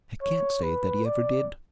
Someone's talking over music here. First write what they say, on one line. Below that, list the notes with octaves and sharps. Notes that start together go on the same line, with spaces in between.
"I can't say that he ever did."
C#5
B4
D5